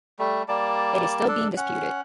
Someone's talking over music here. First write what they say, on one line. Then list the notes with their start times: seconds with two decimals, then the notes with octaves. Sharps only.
It is still being disputed.
0.19 G3 A3
0.49 G3 A#3 D5 A5
1.28 D4 A4
1.57 C#4 F#5